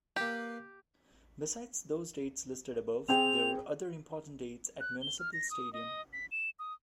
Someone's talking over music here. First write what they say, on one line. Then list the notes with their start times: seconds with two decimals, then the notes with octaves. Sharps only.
Besides those dates listed above, there were other important dates at Municipal Stadium.
0.16 A#3 G4 B4
3.09 C4 G#4 G5 F7
4.80 F#6
5.01 G7
5.19 F6
5.33 A#6
5.51 D#6
5.73 D#5
6.13 B6
6.31 E7
6.59 D#6